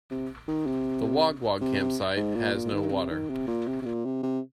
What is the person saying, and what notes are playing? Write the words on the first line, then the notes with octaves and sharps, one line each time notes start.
The Wog Wog campsite has no water.
C3
D#3
C3
C3
C3
G#2
A#2
A#2
D#3
C3
D#3
C3
A#2
C3
C3
A#2
C3
C3